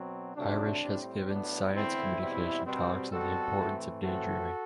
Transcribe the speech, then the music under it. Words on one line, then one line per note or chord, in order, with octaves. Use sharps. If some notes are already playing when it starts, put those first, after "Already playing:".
Irish has given science communication talks on the importance of day dreaming.
Already playing: B2 F#3 C4
C2 C3 F#3 A3 D4
A2 G3 C4
A2 F#3 B3 D4
E2 D3 A3 C4 E4
E2 B2 G3 C4
B2 G3 C4
B2 G3 C4 F#4 A4
A2 E3 A3 C4
A2 E3 A3 C4 F#4 A4